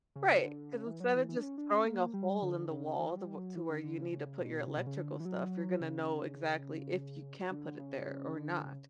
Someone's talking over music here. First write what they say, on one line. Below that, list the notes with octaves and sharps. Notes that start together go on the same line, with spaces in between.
Right, 'cause instead of just throwing a hole in the wall the wh to where you need to put your electrical stuff, you're gonna know exactly if you can put it there or not.
C#3
D3
C#3
E3
F#3
E3
E3
D4
C#4
D4
C#4
A#3
G3
D3
C#3
E3
F#3
G3
F#3
E3
D3
D3
C#3
C#3
B2
C#3
B2
C#3
D3
E3
F#3
C#3
D3
C#3
C#3
D3
C#3